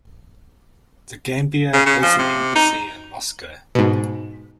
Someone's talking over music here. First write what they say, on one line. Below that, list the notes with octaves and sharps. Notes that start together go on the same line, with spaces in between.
The Gambia has an embassy in Moscow.
C#3
C#3
F3
C3
D#4
G#2 B2